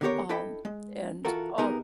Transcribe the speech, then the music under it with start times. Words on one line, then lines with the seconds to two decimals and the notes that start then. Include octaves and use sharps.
um, and, oh
0.01 D3 D#3 B3 G4 A#4 C#5
0.29 D4 E4 A4 D#5 G5 B5
0.65 G#3
1.25 E3 F4 F#4 A4 A#4
1.58 C3 B3 D#4 G#4 A#4